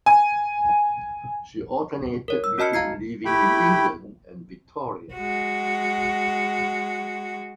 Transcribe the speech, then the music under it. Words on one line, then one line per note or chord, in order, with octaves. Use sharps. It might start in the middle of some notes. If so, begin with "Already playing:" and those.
She alternated between living in England and Victoria.
G#5
A#4 C#5
E6
C#4 F#4 D#5 A5 F6 C#7
F5 A#5 G#6 C7
A3 E4 G4 G5 B5
G#3 F#4